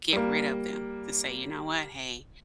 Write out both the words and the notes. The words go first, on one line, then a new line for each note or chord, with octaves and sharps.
get rid of them, to say, "You know what, hey,
G3 A#3